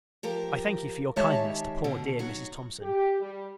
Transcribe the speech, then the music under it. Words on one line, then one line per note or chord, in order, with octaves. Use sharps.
I thank you for your kindness to poor dear Mrs. Thomson.
F3 G4 A#4
D#3 G#3 G4 C#5 E5 A5
B2 D3
F#3 D#4 F#4
G4
G3